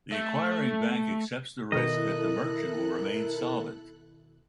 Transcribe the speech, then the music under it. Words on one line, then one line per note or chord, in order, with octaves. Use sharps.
The acquiring bank accepts the risk that the merchant will remain solvent.
A3
B2 D#3 E4 A4 A#4 D#5 F#6